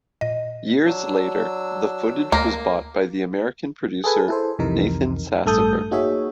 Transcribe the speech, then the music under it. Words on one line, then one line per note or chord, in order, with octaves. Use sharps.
Years later, the footage was bought by the American producer Nathan Sassover.
A#2 D#5
F#3 D4 E6
D2 A#3 A#6
G#4 A4 B4 G#5
E4 A4 C5
C2 F2 C3 E3 D#4 A#4
A1 G2 A3 A4 D#6 G6
A#3 D#4 F#4 G#4 C#5 E5